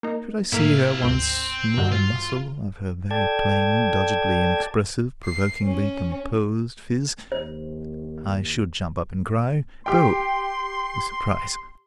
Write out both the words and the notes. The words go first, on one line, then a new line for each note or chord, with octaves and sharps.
Should I see her once move a muscle of her very plain, doggedly inexpressive, provokingly composed phiz, I should jump up and cry, "Bo!" with surprise.
A#3 D#4
A2 A#3 E4 F5 B6
G#1 D2 C4
G2 D#3 F#4
F4
A4 D5 G5 A5 G#6
C7
C#4
D#2 C5
G4 G5 C6